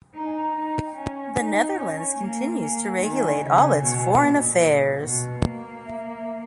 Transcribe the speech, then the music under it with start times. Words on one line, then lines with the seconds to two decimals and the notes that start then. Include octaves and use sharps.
The Netherlands continues to regulate all its foreign affairs.
0.15 D#4 A#5
0.24 G#5
0.33 A#5
0.56 D#4
0.85 G5
0.96 C#4 G#5
1.38 D#4
1.73 G5
1.78 C#4 G#5
2.19 A#3
2.59 A#3 G#5
2.80 G#5
3.00 D#3 G#5
3.41 C#3
3.82 B2
4.22 A#2
5.04 B2
5.44 A#3
5.85 E5